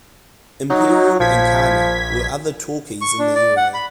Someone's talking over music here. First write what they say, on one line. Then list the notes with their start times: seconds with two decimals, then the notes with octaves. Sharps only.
"Imperial" and "Khanna" were other talkies in the area.
0.70 F#3 D#4
1.20 A#1 F3 G#6 B6
3.02 C#6
3.19 D4
3.35 D5
3.57 F#5
3.74 B5